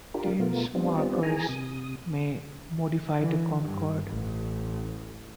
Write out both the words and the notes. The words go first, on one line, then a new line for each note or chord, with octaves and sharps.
Tense markers may modify the concord.
D4 F4 G4 A#4
B2 A3 B3 F4 A#4
G3 B3 C4 D4 F4
E3 G#4 G#5 A#5
C3 D#6
E3
G2
A1